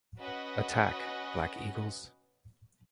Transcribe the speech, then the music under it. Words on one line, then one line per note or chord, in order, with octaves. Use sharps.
Attack, Black Eagles!
C#4 F#4 B4 D#5 F#5